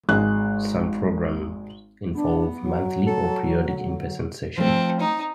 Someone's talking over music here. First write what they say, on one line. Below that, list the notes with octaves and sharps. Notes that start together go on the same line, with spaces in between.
Some programs involve monthly or periodic in-person sessions.
G#1 G#3 F#6
B3 D4
F#3
A4
D3
F3 A3 C4
D#4